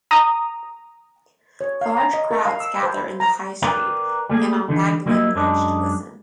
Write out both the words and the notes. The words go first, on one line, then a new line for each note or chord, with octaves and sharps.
Large crowds gather in the High Street and on Magdalen Bridge to listen.
A#5 D#6
C#5
F5
A#5
D#5
A#4
F5
E6
C5
B5
A#5
A#4 B4 D5 G5 A#5
G3 A3 A#3 G#4
D3 E3 D#4
F#3 G3 A#3 D#4 E4 D#5
F#2 G#3 D4 D#4